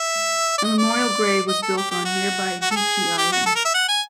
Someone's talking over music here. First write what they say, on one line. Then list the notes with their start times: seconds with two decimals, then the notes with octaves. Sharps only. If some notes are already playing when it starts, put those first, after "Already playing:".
A memorial grave was built on nearby Beechey Island.
Already playing: E5
0.58 D5
0.64 D#5
0.78 D5
1.48 D#5
1.62 A4
1.77 G4
1.91 G4
2.05 F#4
2.61 F#4
2.71 A4
2.76 G#4
3.18 G4
3.32 F#4
3.46 A4
3.56 A#4
3.65 E5
3.74 F#5
3.88 G#5